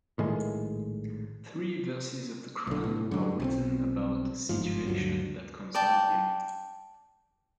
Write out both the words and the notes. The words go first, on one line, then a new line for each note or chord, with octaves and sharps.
Three verses of the Quran were written about a situation that concerned him.
A#1 A2 D#3 G#3
B1 D3
A2
F#2 D3
B1 F3 C4
G1 G#2 F3
D2 G2 D3 F#3
D5 G5 A5